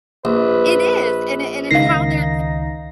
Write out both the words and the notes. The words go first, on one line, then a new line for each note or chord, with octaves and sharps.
It is, and it and it's how they're
A#1 B4
C#2 D#3 D#4 F5 A#6 C7